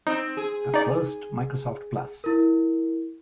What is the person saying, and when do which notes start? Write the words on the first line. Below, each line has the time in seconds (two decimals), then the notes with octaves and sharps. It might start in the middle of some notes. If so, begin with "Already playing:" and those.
The first Microsoft Plus!
0.07 C4 D#4
0.37 G#4
0.74 D#4 D5
2.24 E4 A#4